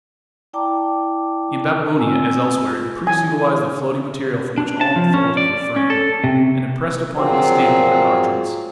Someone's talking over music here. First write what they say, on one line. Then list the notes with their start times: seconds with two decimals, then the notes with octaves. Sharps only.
In Babylonia, as elsewhere, the priests utilized the floating material from which all mythologies were framed, and impressed upon it the stamp of their doctrines.
0.53 E4 D5 G5 A5 A#5 D6
1.96 C4 F4 G#5 E6
3.07 E3 G#5
4.58 D4
4.81 A5
4.96 F3
5.14 C#4
5.37 D5
5.76 C#4
5.90 A4
6.24 C3
7.17 A#2 F3 F#3 C4 G#4